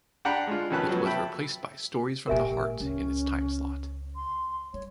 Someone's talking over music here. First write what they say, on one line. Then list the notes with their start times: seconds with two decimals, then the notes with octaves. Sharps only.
It was replaced by "Stories from the Heart" in its timeslot.
0.25 D4 F#5 G5 A#5 B5
0.47 G#3 D4 F4
0.70 F2 D#3 C#4 B4 A5 F#6
0.87 F3 F#3 B3
1.05 E5 G5 A5 B5
2.28 G#1 A#2 G4 A#4 E5 G#5
2.80 C#2 C#4
4.16 C6
4.74 G3 C#5